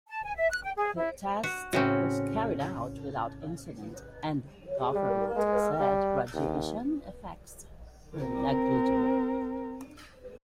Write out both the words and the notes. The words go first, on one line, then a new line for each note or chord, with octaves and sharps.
The test was carried out without incident, and government said radiation effects were negligible.
A5
G#5
E5
F#6
G5
G#4
E4
F#4
A2 C#3 C4 C#4 F#4
G3
G#3
G3
D#2
C4 A#4